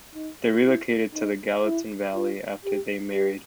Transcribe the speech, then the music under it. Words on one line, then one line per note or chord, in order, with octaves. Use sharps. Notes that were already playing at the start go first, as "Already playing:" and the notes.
They relocated to the Gallatin Valley after they married.
D#4
E4
D#4
E4
F4
G4
G4